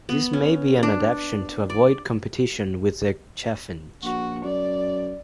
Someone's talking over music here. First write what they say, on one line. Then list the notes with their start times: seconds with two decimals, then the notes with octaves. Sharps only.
This may be an adaptation to avoid competition with the Chaffinch.
0.09 B3
0.33 C#4
0.83 D4
1.70 D5
4.03 A#1 F#4
4.44 F#2 D5